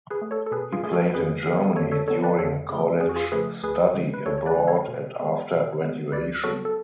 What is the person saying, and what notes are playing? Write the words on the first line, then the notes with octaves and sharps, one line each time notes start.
He played in Germany during college study abroad and after graduation.
G#4 B4
A3
A4 C#5
A4
B2 G#4 B4
F4 G#4
A3 G#4
F#4 A4
F2 G#4 B4
D3 F#3 B3
F2 A4 C#5
A4 C#5
D3 F#3 B3 A4 C#5
B4 D5
F2 A4 C#5
C#3 F3 A3
F2 G#4
F#4
F4 G#4
C#3 F3 A3 G#4 B4
D2 G#4 B4
D3 G#3
B4
D2 A4 C#5
C#5
B4 D5
D3 G#3
A4 C#5
B2
G#3 B3
B2
G#3 B3
D2 B4 D5
C#3 F#3 B3 F#4 A4
A4